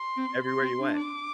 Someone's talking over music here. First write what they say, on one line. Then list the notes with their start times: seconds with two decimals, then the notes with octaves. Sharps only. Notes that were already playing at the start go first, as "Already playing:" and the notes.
Everywhere you went.
Already playing: C6
0.17 C4
0.44 C6
0.61 C4
0.79 D4
0.97 D6